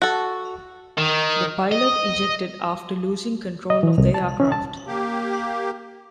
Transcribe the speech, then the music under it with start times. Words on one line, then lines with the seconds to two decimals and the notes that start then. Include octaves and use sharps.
The pilot ejected after losing control of the aircraft.
0.02 F#4 A4
0.98 D#3
1.72 D#5
3.70 D#5
3.83 E3
3.98 C2
4.14 A5
4.40 C#4
4.52 A5
4.87 A#3 G4